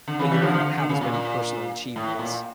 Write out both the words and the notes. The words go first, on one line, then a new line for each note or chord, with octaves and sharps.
but you might not have as many personal achievements,
D3
C#3 E3
E3 G3
D3 F3
D3 F3
D3
D3
C#3
A#2
A2
A#2